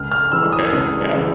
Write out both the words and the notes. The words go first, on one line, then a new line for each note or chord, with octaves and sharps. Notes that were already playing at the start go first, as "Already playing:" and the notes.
Okay, yeah.
Already playing: C#2 F6
F6
C#3 E3 E6
D#6
C#2
C#3 E3